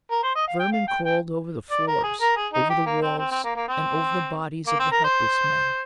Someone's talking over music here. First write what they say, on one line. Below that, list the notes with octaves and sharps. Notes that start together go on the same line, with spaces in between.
Vermin crawled over the floors, over the walls and over the bodies of the helpless men.
A#4
C5
D#5
F5
G5
F5
G5
G5
D5
A#4
G#4
A#4
G#4
D#4
G4
A#3
C4
C4
C4
A#3
A#3
C4
A#3
C4
A#4
C5